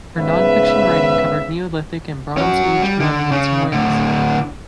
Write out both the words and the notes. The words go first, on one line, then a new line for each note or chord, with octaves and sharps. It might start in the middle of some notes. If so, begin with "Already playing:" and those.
Her non fiction writing covered Neolithic and Bronze Age monuments in Wales.
G#2 C#3 B3 B4 E5
C#4 F#4
G3
D3
C#3
A2 D3